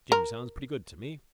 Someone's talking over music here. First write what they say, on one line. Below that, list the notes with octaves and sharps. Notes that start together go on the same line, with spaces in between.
Jim sounds pretty good to me.
A#4